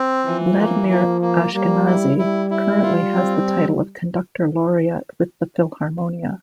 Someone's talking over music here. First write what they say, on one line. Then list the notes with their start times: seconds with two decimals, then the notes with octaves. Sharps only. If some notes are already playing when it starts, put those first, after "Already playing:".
Vladimir Ashkenazy currently has the title of conductor laureate with the Philharmonia.
Already playing: C4
0.25 E3 F3
0.58 A#3
0.89 F3 A#3
1.21 A#3
1.54 G3 A#3
1.86 E4
2.18 G3 E4
2.50 E4
2.82 F4
3.15 C4